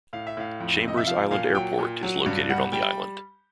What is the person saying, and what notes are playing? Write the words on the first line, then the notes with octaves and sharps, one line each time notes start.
Chambers Island Airport is located on the island.
A2 F5
E5
A2 F5
F2
C3 D#5
E5
F3 F5
A#2 F5
F#3 G5
A#2
F#3
G2
G3 F#5
G3 G5